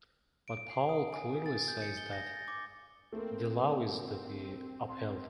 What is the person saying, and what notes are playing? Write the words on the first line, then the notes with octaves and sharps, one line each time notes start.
But Paul clearly says that the Law is to be upheld.
D7
C7
D#6
G#5
A6
G6
C#7
G7
A#6
A6
D6
A3 A#3 C4
C6